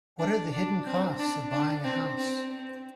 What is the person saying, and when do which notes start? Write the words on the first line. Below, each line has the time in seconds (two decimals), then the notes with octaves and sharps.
What are the hidden costs of buying a house?
0.19 D4
0.52 D4
0.86 C4
1.19 D4
1.51 D4
1.84 C4
2.17 C4
2.50 C4